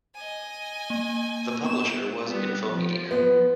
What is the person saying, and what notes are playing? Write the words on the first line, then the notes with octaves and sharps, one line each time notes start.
The publisher was Infomedia.
D#5 G#5
A#3
B3 E7
G3 B3
F3
B3